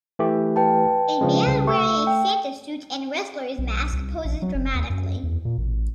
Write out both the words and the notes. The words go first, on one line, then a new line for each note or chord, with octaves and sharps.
A man wearing a Santa suit and wrestler 's mask poses dramatically.
E3 A3 G4
B4 G5 A5
C#3 F3 G#3
C2 C#3
A3 C#6 E6
G5
B1
C2
A#1
F#3
F#1
D#2
F#2
E2
A#2
A1